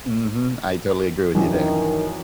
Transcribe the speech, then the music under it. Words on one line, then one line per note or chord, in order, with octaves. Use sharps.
Mhm, I totally agree with you there.
A#1 F#2 D#3 E3